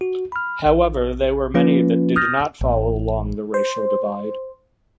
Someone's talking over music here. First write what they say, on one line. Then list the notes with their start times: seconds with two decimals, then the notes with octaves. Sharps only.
However, there were many that did not fall along the racial divide.
0.01 F#4
0.32 B5 F6
0.65 A#1
1.54 F3 A#3 C#4 F4 B4
2.16 D#6 F6 G6 A6 A#6
2.61 A1
3.54 C5